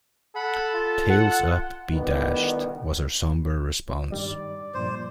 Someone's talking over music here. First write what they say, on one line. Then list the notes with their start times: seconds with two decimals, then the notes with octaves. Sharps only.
"Tails up be dashed," was her sombre response.
0.36 A4 F#5 B5
0.73 F4
1.10 F#5
1.92 D2 D#3 G3 B3 E4 G4
4.12 G2 D#3 G3 D5
4.74 G2 A#2 F3 C5